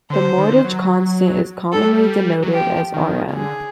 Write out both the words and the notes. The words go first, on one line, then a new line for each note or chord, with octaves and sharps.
The mortgage constant is commonly denoted as Rm.
D3 C5
D#3
D3
D#3
F#3
G3 A4
F#3
G3
F#3
F3 G4
D#3
C#3
D3 G#4